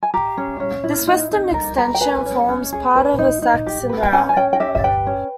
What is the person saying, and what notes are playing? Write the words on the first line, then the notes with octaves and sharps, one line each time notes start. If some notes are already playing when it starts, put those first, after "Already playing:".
This western extension forms part of a Saxon route.
G#5
G4 A#5
C#4
C#4
E4
D#4
D#4
A#4
A#4
G5
B4 G#5
C#4
C#4
G#4
B4
D#4
D#4
G4
B4
G5
C#4 G#5
G#5
C#4 G5
G5
G4 E5
E5
B4 G5
C#4